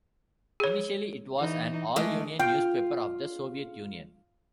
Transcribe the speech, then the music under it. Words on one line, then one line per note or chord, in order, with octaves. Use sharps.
Initially it was an all-Union newspaper of the Soviet Union.
G#4 C#5
E3 D#4
E3 G#3 A3
F4 G5